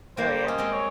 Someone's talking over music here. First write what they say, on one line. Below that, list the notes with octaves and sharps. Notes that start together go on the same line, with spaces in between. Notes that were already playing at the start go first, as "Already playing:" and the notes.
Oh, yeah.
G3 A#3 C5
C#4 D#5
G#3 C4
C#5